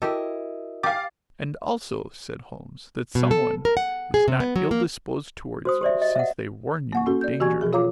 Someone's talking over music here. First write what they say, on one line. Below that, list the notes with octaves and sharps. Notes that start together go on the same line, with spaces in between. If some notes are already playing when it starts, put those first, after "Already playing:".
"And also," said Holmes, "that someone is not ill-disposed towards you, since they warn you of danger."
E4 F#4 G4 A4 A#4 D#5
G4 F5 G#5 D6 A6
B2
A4
A#4
F#5
G#4
C3
B3
F#3
A#3
F#4 C5 D#6
G4 C5 D5 E5
D#5
E5 F#5
A#3 F#5 C#6
C#4 F#4 A4
D5 G6
E3 F#4 G4 G#5 C#6 G#6
B2 F3 G#4
F4 C#5 F5 A#5 D6